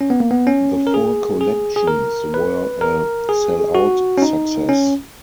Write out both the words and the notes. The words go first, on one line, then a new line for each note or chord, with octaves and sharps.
The four collections were a sell-out success.
C#4
B3
A#3
B3
C#4
A#4
G#4
G#4
G#4
A#4
B4
A#4
G#4
F#4
C#4
D#4
C#4